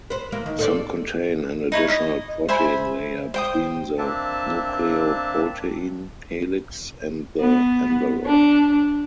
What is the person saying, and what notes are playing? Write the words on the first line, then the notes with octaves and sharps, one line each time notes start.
Some contain an additional protein layer between the nucleoprotein helix and the envelope.
B4 C5
E3 A#3
D#3
A4 C5 D5
D#4 E4 C#5
D#5
C5 E5 G#5 B5
C5 G5 D#6
A#3 C4 D4 E5 A5
B3
D4